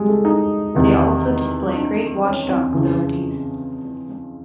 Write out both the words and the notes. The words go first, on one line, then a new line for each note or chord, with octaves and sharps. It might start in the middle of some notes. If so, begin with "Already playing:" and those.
They also display great watchdog abilities.
Already playing: F2 G3 G#3
A3
D#4
E2 C3 D#3
D4
C#4
C4
F2 C#3 E3